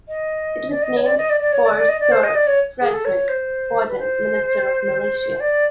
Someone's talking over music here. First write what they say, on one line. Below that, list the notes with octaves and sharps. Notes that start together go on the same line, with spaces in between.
It was named for Sir Frederick Borden, Minister of Militia.
D#5
D5
D#5
C#5
D5
D#5
D5
D5
C#5
D5
D5
D#5
D5
C5
D#5
D5
C#5
G#4
A4
C#5
C5
B4
C5
D5